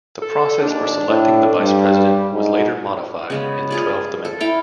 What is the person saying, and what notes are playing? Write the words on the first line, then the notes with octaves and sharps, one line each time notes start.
The process for selecting the vice president was later modified in the Twelfth Amendment.
A4
D#2 D4
A2
G2 G3
G#2
C#3 G#3 B3
F4 G#4 D5
A4
E4 F5 G5